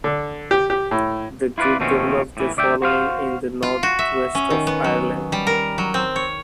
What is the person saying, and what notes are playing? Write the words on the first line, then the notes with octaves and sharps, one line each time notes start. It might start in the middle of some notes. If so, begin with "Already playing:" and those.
The group developed a following in the North West of Ireland.
D3
G4
G4
A2
E4 F4 A#4 B4 D5
D#2 B2 F3 A3 C4 C#4
A2 E3
D2 D5 E5 G5
F#4 C5 F5
F4
F#4
E5
C#4
D#3
B3
F#3
G3
A#4
F#3
C4
C#5